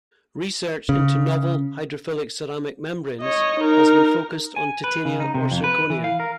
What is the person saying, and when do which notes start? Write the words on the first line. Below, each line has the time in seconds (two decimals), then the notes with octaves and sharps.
Research into novel hydrophilic ceramic membranes has been focused on titania or zirconia.
0.89 C#3
3.21 C#5 D#5
3.60 D#4 A#4
4.56 G#5
4.84 B4
5.05 C#3
5.20 D#4
5.35 C3
5.52 F2
5.64 B4
5.90 E3
6.04 F5
6.20 A#4